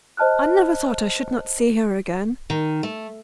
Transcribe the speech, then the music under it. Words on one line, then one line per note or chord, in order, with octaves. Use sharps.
I never thought I should not see her again.'
C5 D#5 A5 F6 F#6
D#3
A3